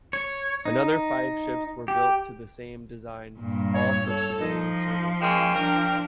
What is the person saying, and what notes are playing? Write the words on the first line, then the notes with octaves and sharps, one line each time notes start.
Another five ships were built to the same design, all for civilian service.
C#5
D#4
G4
G2 A#2
C#5
A4 C#5
F3 D#4
G#3 A#3 C#4 G5
F3 D4 A#4